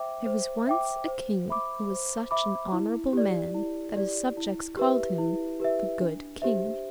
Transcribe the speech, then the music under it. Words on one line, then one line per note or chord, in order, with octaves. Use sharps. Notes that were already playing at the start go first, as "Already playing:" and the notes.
There was once a king who was such an honourable man that his subjects called him "The Good King."
Already playing: C5 E5 G5 D6
C5
E5 G5 D6
C5
E5 B5 D6
C5
E5 B5 D6
E4
G4 D5
E4
G4 D5
E4
G4 B4 E5
E4
G4 B4 E5
D4
G4 C5 E5